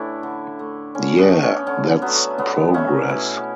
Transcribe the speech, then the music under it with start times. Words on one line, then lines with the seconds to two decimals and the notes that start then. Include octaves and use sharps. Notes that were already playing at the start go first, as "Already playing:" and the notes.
Yeah, that's progress.'.
Already playing: A2 E3 A3 D4 E4
0.23 D3
0.59 A3
0.95 D3 C#4
1.18 B3
1.31 A3
1.43 C#4
1.67 D3 C#4
2.02 F#3 A3 B3
2.38 D3 B3
2.74 F#3 A3 C#4
3.09 B2 E4